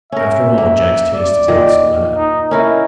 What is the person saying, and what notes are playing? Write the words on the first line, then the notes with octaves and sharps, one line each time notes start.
'After all, Jack's taste is not so bad.
C#4 A#4 E5
A#3
D5
A#2 D#3
D#4
C#4 D#4 E4 A#4